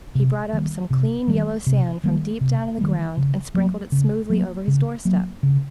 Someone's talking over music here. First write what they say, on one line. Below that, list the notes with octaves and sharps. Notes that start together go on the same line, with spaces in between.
He brought up some clean yellow sand from deep down in the ground and sprinkled it smoothly over his doorstep.
C3
D#3 G3 A#3
C3
D#3 G3 A#3
C3
D#3 G3 A#3
C3
D#3 G3 A#3
C#3
F#3 A#3
C#3
F#3 A#3
C#3
F#3 A#3
C#3